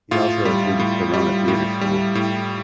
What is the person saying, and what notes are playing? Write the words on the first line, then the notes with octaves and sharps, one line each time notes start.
He also attended Corona Theatre School.
A2 F4
G3
A2
G3
A2
G3
A2